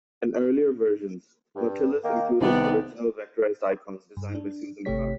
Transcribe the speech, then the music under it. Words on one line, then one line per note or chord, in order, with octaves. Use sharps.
In earlier versions, Nautilus included original vectorized icons designed by Susan Kare.
G2
D#3 A#3
C2 G#2 C3 D#3 B3 D5
G2
D4
G#1 C3 A3 G4 C#5 B6